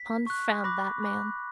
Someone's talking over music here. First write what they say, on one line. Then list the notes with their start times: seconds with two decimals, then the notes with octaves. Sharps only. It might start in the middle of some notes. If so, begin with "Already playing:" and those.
"Confound that man!"
Already playing: B6
0.27 C#6 F#6
0.64 B5 D6 F#6 A#6
1.03 B5 D6 F#6